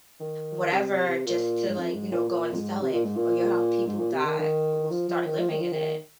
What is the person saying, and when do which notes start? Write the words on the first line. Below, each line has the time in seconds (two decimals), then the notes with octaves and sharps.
whatever, just to, like, you know, go and sell it, or you'll have people that will start living in it,
0.20 D#3
0.72 C3
0.91 C3
1.07 C3
1.25 A#2
1.67 G#2
1.77 F2
1.95 G#2
2.12 A#2
2.29 A#2
2.51 F2
2.55 G#2
2.81 C3
2.92 A#2
3.04 G#2
3.16 A#2
3.86 G#2
3.98 A#2
4.12 C3
4.25 D#3
4.39 D#3
4.90 F3
5.09 F3
5.25 D#3
5.38 F3
5.49 D#3
5.60 F3
5.71 D#3